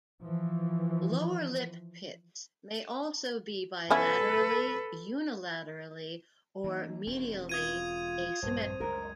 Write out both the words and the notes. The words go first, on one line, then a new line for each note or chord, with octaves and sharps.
Lower lip pits may also be bilaterally, unilaterally, or medially asymmetrical.
E3 F3
B3 C#4 E4 A4 B4
E3 A#3 D#4
E1 D#2 C4 C#4
F4 D#6 G#6 D#7
A#1 G2 C4 C5
F#1 C#2 A#4